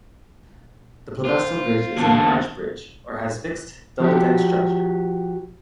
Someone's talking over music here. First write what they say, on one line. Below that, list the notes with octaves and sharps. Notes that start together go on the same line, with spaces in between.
The Plougastel Bridge is an arch bridge, or has a fixed, double deck structure.
F4 C5
E2 D3 A#3 A5
F3 F#4 G4